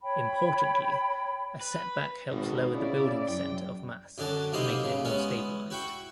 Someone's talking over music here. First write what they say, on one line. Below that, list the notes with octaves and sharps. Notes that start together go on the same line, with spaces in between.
Importantly, a setback helps lower the building center of mass, making it more stabilized.
C#5 G5 B5
B4
G#1 B2
C#3 E4 D5
F#2 G5
F#2 D3 F#3 G#5 A5
B1 C3 A#3 E4 C5 D#5
G2 C#3
G#3 B3 C#4 E4
E4 F#4 G5 C#6